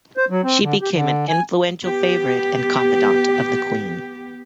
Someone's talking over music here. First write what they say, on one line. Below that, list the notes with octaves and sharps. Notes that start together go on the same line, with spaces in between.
She became an influential favorite and confidant of the queen.
C5
F#3
C4
D3
G4
D3
G#5
B3 G4